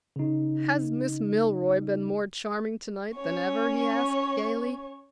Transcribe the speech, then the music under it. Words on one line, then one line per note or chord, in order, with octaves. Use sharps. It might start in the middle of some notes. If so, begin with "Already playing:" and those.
"Has Miss Milroy been more charming to-night than ever?" he asked, gayly.
C#3 D#4
C#4 C#5